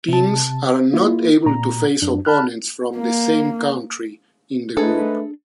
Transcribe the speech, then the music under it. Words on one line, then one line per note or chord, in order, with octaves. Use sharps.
Teams are not able to face opponents from the same country in the group.
C3 A5
A#3 E4 F4
A#2 A#5
F#2 D4
A5 B5 F6 F#6
A#3
G#2 A3 D4 D#4 G#4 A4 B4